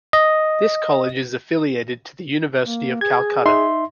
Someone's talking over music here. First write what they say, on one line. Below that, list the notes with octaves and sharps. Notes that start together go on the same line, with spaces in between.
This college is affiliated to the University of Calcutta.
D#5
A#3
G#4 G#6
D#4 E5 C6